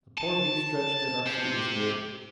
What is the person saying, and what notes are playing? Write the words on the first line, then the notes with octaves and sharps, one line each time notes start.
The poor beast stretched at our feet was weary.
A5
G4 C5